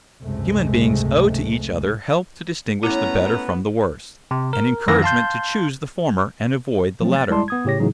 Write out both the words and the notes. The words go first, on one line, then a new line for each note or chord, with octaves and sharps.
Human beings owe to each other help to distinguish the better from the worse, and encouragement to choose the former and avoid the latter.
F#1 C#2 G#2 C3 G#3 A3
A3 B3 C#4 E4 C#5 A#5
C3
A#4
F#2 D#3 E3 A#6
F5 A5 C6 G6
F3 F#3 A3 C4
A6
G3 G#3 E4 D5 A5 C6
B3 D#6 G#6
A2 C#3 G4 C#5 A#6
A2 C#3 E3 F#3 D#4 G#4